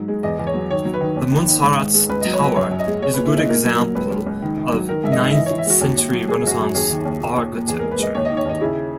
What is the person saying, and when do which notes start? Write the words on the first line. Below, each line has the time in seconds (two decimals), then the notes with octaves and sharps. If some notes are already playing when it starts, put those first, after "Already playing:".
The Muntsaratz Tower is a good example of ninth century Renaissance architecture.
Already playing: G#2 F#3
0.08 G#3
0.23 E2 D#5
0.39 E2
0.47 C#5
0.54 F#3
0.70 D#3 C#5
0.85 F#3
0.94 B4
1.01 D#3
1.16 D#2
1.32 D#3
1.48 D#3
1.63 G#2
1.78 G#2
1.94 G#3
2.09 C#2 B4
2.21 D#5
2.25 F#3
2.33 C#5
2.40 F#3 B4
2.56 F#2 C#5
2.71 F#2
2.79 D#5
2.87 G#3
3.02 G#3 C#5
3.14 B4
3.18 A#2
3.26 E4
3.34 G#3 D#4
3.49 A#2 A#4
3.65 F#3
3.72 A#4
3.80 F#3
3.95 C#2 B4
4.11 C#2
4.26 C#2
4.42 D#3
4.58 D#3
4.72 F#3
4.88 D#3 A#4
5.04 G#2 E5
5.12 D#5
5.19 G#2
5.30 E5
5.35 E3 D#5
5.46 C#5
5.51 E3
5.58 E5
5.66 G#3 F#4
5.81 D#2
5.97 D#2
6.13 F#3
6.28 G#3 G#4
6.43 F#2 F#4
6.51 G#4
6.59 F#2
6.75 D#2 G#4
6.90 D#3
7.05 D#2
7.21 A#2
7.37 A#2
7.52 A#2
7.68 E2 G#4
7.79 A#4
7.83 G#3
7.91 B4
7.98 G#3 D#5
8.15 D#2 C#5
8.25 D#5
8.30 D#3
8.37 C#5
8.45 D#2 D#4
8.61 C#3 E4